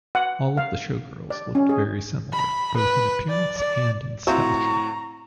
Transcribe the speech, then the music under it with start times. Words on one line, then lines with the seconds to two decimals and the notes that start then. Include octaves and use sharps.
All of the showgirls looked very similar, both in appearance and in stature.
0.15 F#5
0.57 F5
1.30 D5
1.55 C#4
1.69 G#4
2.33 B5
2.77 B4
3.29 D5
3.59 D5
4.27 A2 C4 F4 F#4 E5 A#5 C#6